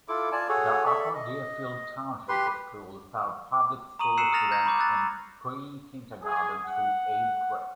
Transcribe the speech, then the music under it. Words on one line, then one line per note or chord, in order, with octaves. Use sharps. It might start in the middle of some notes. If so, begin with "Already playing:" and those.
The Upper Deerfield Township Schools serve public school students in pre-kindergarten through eighth grade.
E4 F4 A4 D6
F4 D5 G#5 A5
F#4 G#4 A4 C#5
A4 D5 E5
D#5
G4 B4 C6
A#5 C#6 D#6 D#7 F#7
E6 F#6 C7 C#7 E7
D#6 F6 F#6 A6 A#6 F7
A#5 G6 G#6 A#6
B5 C#6 D6 G6
E6 F#6 A6
G#4
F#5